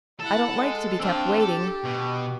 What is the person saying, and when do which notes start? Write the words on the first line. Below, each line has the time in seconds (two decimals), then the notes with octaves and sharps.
I don't like to be kept waiting.
0.20 E4 A4 F#5
0.55 G#3
1.00 C4 D4 F4 G5
1.38 G4 A4
1.84 B2